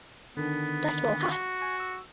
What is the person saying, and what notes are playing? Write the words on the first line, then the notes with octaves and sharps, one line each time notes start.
Dust Bowl Ha!
D3 D#3 B3 D4
F#4
G#5 C#6
E6